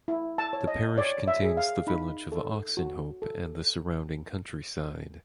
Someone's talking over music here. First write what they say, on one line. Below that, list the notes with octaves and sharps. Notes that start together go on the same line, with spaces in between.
The parish contains the village of Oxenhope and the surrounding countryside.
E4
A5
C#5
D#5
C#5 D5
E5
G#4
F5
D#4 B5
A4
F#4
A4